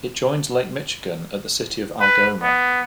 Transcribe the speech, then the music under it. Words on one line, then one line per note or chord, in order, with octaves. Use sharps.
It joins Lake Michigan at the city of Algoma.
B4
B3